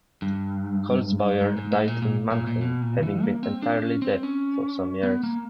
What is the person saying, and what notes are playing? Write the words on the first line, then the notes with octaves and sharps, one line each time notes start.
Holzbauer died in Mannheim, having been entirely deaf for some years.
G2
G#2
G#2
A2
A#2
A#2
A#2
A#2
B2
A#2
E3
A#3
C4
D4
C#4
C4
C#4
B3
A#3